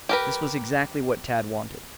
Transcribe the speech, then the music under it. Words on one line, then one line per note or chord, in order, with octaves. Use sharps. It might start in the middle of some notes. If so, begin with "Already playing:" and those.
This was exactly what Tad wanted.
G4 A#4 B4